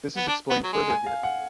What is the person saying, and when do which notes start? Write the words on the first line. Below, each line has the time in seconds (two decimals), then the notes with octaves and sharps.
This is explained further here.
0.16 B3
0.28 D4
0.50 B3
0.63 F#3
0.73 G#3
0.90 G#5
1.06 F5
1.23 F#5